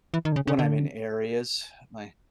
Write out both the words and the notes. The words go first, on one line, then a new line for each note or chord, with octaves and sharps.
when I'm in areas. My
E3
D#3
D3
C#3
C#3
D3